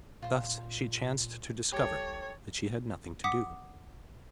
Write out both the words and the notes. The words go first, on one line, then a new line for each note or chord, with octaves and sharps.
Thus she chanced to discover that she had nothing to do.
A#2 F4 C5
C2 G4 A4 C#5
F#5 D6 D#6 B6